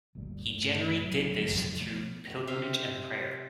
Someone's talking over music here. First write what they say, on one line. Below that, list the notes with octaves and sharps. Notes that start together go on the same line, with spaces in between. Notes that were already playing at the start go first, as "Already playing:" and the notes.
He generally did this through pilgrimage and prayer.
G1 D2 A#2 G3
G2 A#2 A3
B1 F#3
D3 F#3 C4
C2 F2 C#3 F#3
B2 F3 A3 B3
C3 E5 F5 G5